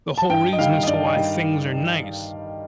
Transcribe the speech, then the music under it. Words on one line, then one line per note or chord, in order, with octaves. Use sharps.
the whole reason as to why things are nice.
A5
G2 G5
D#5
D#3 G3 F5
D#5
G2 D5
D#5
D#3 G3